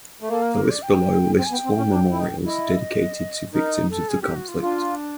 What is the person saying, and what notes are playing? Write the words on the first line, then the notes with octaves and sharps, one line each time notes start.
The list below lists all memorials dedicated to victims of the conflict.
A3
A#3 A4
A#4
A#4
D5
G5
C4 G5
G#5
B3 G5
C4
C#4
D4
E4
D#4
E4 D#5
D#4 A#4
A4
G#4
G4
F#4
F4
D4 F4